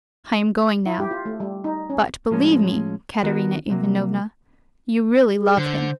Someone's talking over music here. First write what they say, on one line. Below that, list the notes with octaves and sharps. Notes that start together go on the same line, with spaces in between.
I am going now; but, believe me, Katerina Ivanovna, you really love him.
E4
G4
F4
A3
G3
D#4
C#4
A2 F3 G#3 C#4
D#3 B3 F#4 A#4
C3 F#3 A#3
G#4
D3 C5